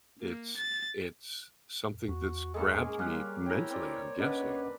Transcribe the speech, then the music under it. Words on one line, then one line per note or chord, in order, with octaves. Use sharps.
it's it's something that's grabbed me mentally, I'm guessing.
A#3
A6
E2 F#4
G#3 A#3 C#4 G#4 A4
G3 A#3 G#5 F6 F#6
E4 C#5 G5 A#5
C4 D5
C#4 D4 B4 D#5 F#5